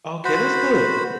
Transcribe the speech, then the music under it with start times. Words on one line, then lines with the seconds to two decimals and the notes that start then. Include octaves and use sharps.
Okay, that's good.
0.25 F#4 C5 B5